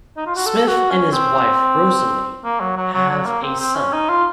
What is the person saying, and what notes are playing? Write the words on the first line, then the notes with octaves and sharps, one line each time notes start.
Smith and his wife Rosalynn have a son.
D#4
F4
F#4
A4
F#4
C#4
C4
A#3
F#3
F#3
F#3
F#3
A#3
C4
C4
C#4
D#4
F4